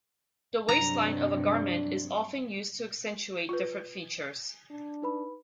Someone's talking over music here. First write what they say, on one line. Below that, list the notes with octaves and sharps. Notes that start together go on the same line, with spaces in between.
The waistline of a garment is often used to accentuate different features.
G2 C3 F#3 D4 A#5
F4 B4
D4
D#4 B4 B5